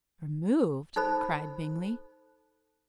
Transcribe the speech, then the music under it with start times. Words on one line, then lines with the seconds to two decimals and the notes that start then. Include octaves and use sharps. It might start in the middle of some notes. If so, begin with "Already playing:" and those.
"Removed!" cried Bingley.
0.96 D#4 A4 C5 B5